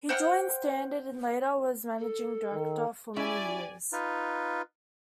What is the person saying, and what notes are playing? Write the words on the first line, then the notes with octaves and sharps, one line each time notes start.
He joined Standard and later was managing director for many years.
C5 F#5 G5 F6
A4
D#3
C#4 E4 G4 D5 E5 G#5
D#4 F4 B4